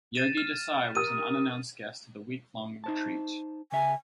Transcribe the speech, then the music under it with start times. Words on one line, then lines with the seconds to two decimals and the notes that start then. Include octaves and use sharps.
Yogi Desai was an unannounced guest at the week-long retreat.
0.15 A6 D#7 E7
0.37 F6
0.95 G4 A#4 D#6 D#7
2.84 D#4 C5 A5
3.72 C#3 E5 G#5 A#5